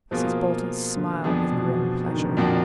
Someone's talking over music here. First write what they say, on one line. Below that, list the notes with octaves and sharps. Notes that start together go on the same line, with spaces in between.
Mrs. Bolton smiled with grim pleasure.
B2 F3 A#3 F4 G#4
F3
D3
F2 F3 B3 D4 G#4
B2
B2
D#3
D3
B2
F2 A#2 F3 A#3 D4 F#4